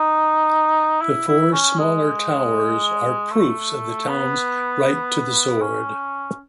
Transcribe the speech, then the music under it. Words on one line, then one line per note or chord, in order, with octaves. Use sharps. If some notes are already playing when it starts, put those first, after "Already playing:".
The four smaller towers are proofs of the town's "Right to the sword".
Already playing: D#4
E4
E4
C#4
G#3
A3
B3
C#4